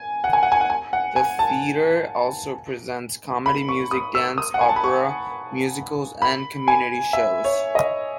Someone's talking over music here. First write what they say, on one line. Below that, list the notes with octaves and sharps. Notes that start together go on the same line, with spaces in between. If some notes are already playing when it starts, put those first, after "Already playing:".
The theatre also presents comedy, music, dance, opera, musicals and community shows.
Already playing: G#5
F#5
G#5
F#5
G#5
F#5
G#5
F#5
G#5
A5
B5
C#6
D#6
E6
D#6
F#5
G#5
A5
B5
C#6
B5
G#5
E5
C#5
D#5